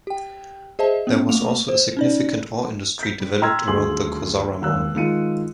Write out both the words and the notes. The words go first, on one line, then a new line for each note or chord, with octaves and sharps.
There was also a significant ore industry developed around the Kozara Mountain.
G4 G5
G#4 C5 D#5 E5 A5
B3 C#4
A3 A#3 F7
C5
C#4 D#4 D5
G6 B6
G3
G5 A#5 C6 E6 F6 G#6
D#1 D2 G#4 C6 F#7
E1 D#2 E6 F#6
D#3 G#3 F4 C#7 D#7